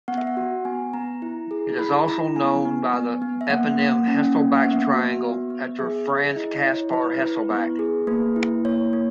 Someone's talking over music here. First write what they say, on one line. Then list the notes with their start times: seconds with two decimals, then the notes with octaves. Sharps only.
It is also known by the eponym Hesselbach's triangle, after Franz Kaspar Hesselbach.
0.08 B3 F#5
0.18 E5
0.27 F#5
0.37 F#4
0.65 B3 G#5
0.93 B3 A#5
1.22 E4
1.51 G#4
1.79 E4 B5
2.08 E4 A#5
2.36 B3 G#5
2.65 B3
2.93 B3
3.22 B3
3.41 E5
3.50 A#3 F#5
3.79 A#3
4.08 C#4
4.36 A#3
4.57 F#5
4.64 B3 E5
4.93 F#4
5.22 B3
5.50 B3
5.79 G#4 E5
6.07 G#4
6.36 E4 D#5
6.64 E4 C#5
6.93 E4 B4
7.22 E4
7.50 B3
7.79 G#4
8.07 A#3 B4
8.36 E4
8.65 A#3 C#5
8.93 A#3